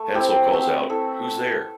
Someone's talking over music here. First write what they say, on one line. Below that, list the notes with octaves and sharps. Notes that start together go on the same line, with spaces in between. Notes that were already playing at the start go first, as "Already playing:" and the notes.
Hansel calls out, Who's there?
Already playing: A3
C4 E4 G4
C4 F#4 B4
E4 A4 E5